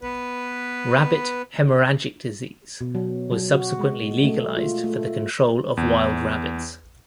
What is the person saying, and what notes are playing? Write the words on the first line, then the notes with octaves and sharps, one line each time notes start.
Rabbit hemorrhagic disease was subsequently legalised for the control of wild rabbits.
B3 B4
B2
F#3
F#3
F#4
G#3
A3
F4
A3
E2